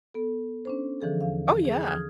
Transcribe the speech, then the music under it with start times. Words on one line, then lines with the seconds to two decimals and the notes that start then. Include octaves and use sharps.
Oh, yeah.
0.14 B3 A4
0.65 C#4 D4 C5
1.01 D3 E3 F3 G#4 A4
1.21 E2 F5
1.65 G#4
1.85 D#6 F6 G#6